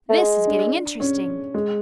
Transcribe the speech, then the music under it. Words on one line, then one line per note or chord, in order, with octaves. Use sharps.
"This is getting interesting!"
A3
G#3
D4
C#4
G#3